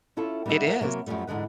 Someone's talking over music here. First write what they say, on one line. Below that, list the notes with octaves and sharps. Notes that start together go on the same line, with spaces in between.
It is.
C#4 E4 F4 A4
G3 B3 D#4 G#4 E5
F#3 A#4
C3 F#3 A#3 B3
F#2 B2 F3 G3 A3
E2 G#2 D3 G#3 B4